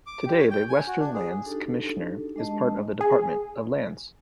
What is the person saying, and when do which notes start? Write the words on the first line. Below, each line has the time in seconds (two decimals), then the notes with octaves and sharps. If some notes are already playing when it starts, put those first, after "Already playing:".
Today, the Western Lands Commissioner is part of the Department of Lands.
0.07 D6
0.26 G4
0.39 C#5
0.51 G5
0.69 G#5
0.87 F#4
0.99 D4
1.13 G#4
1.45 D4 D#4 F#4 G4 A4
2.36 G#3 D4 D#5 A5
3.01 G#4